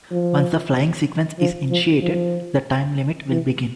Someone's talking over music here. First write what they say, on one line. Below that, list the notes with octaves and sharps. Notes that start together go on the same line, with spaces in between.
Once the flying sequence is initiated, the time limit will begin.
F3
F3
F3
F3
E3